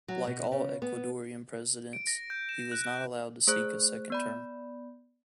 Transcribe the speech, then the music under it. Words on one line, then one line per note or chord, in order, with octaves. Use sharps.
Like all Ecuadorian presidents, he was not allowed to seek a second term.
F#3
B2
C#3
B3
D7
A#6
G6
E7
F#6
A3 G#4 C5 F#6
B3 D5 B5